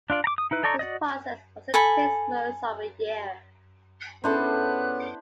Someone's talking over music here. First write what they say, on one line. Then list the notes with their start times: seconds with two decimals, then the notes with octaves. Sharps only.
This process also takes most of a year.
0.10 D4 F4 D5
0.24 A#5 D6
0.38 D#6
0.51 D#4 E4 B4
0.63 D#4 A4 D5 A#5 C#6
0.79 F#4 D5 D#5
1.74 A4 G#5 B5
4.24 B3 C#4 D4 E4 G#4 A4 C5 F#6